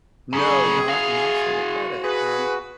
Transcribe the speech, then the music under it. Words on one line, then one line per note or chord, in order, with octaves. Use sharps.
No not not for the credit, um,
F#2 C#3 G#4
F#4 F5
G#4 B4